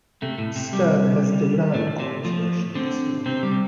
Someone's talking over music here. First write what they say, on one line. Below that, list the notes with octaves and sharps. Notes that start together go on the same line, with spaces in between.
Stern has denied Grant's version of the story.
C3 A3
A2
C3
G3
A2 A3
C3
F3
D3 C4
C3 C4
G3
C3